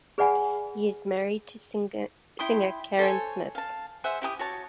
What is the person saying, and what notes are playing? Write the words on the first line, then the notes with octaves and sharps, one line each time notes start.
He is married to singer Karen Smith.
G#4 B4 D5 F#5 G#5 B5
E4 G5 C6 D#6
A4 C5 C#5 G#5
F5 A5
G#4 C5 E5 F#5
E4 G4 G5 D#6
F#4 C#5 A5